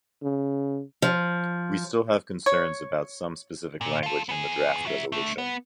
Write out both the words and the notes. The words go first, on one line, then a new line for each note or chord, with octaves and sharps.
We still have concerns about some specific language in the draft resolution.
C#3
F3
C#5
A#2
F4 A4
B3 G#4
F#4 E5
A3 D4
B3